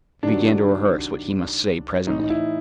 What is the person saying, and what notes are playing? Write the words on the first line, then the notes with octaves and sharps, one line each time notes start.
He began to rehearse what he must say presently.
C3 D#3 F#3 D4
A2 E3 D#4
D#4
E4